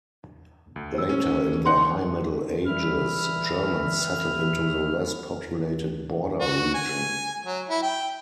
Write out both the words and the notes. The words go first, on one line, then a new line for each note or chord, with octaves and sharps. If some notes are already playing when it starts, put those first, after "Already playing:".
Later in the High Middle Ages Germans settled into the less populated border region.
D2
C5 E6
C#4
D#4 F#5 C6
E3 G3 E5 B5 F6
F#4
G#5
F#3
E4
G5